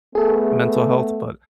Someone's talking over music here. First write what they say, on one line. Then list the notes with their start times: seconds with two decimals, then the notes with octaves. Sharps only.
mental health, but
0.15 A3 B3 G#4 A4